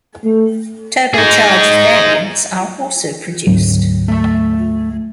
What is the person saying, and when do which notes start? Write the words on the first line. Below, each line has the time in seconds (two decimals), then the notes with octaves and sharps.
Turbocharged variants are also produced.
0.25 A3
1.14 D#4 G#4
3.47 D2 G#2 F#3
4.08 A3 A5